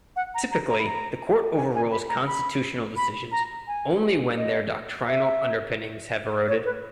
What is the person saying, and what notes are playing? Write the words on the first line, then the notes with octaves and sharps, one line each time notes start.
Typically, the Court overrules constitutional decisions only when their doctrinal underpinnings have eroded.
F#5
A#5
A#5
A#5
B5
A#5
G#5
G#5
B5
A#5
B5
B5
A#5
G#5
D#5
E5
C#5
B4